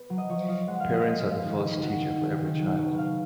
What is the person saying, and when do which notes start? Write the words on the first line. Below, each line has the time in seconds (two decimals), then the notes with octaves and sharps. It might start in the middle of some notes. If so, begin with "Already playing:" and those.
Parents are the first teacher for every child.
Already playing: B3
0.10 F#3
0.18 D#5
0.29 F3 C#5
0.48 F4 D#5
0.68 G#3 F#5
0.80 F5
0.87 F3
0.94 D#5
1.06 G#3
1.19 F5
1.25 G#3
1.31 F5
1.44 D#3 D#5
1.63 D#3
1.83 D#3 F#4
2.02 D#3
2.21 D#3 G#4
2.40 D#3
2.60 F#3
2.78 B2 C#5
2.98 B2 F5